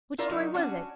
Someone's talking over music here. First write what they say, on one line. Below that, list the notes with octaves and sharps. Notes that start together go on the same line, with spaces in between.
"Which story was it?"
E4 F4 A#4 D5
F#3 D#4
C#4 D4 F#4